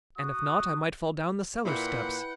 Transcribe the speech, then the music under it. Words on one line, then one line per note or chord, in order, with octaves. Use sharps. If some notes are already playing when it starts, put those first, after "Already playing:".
And, if not, I might fall down the cellar steps.
F#4 D#6
A#2 E4 B4 F#5 G5